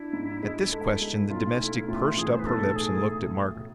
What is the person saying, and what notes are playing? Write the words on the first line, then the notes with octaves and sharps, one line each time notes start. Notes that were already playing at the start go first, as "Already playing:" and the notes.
At this question the domestic pursed up her lips and looked at Margaret.
Already playing: D4 E4
G#2
G#3
A4
G#3
B1 F4
A3 E4
A2 F4
E3 G#4
C5
B4
B1 A4
A3 G#4